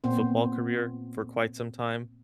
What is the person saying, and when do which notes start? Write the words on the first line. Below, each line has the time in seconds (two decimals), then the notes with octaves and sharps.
football career for quite some time.
0.04 A#2 B3 C4 C5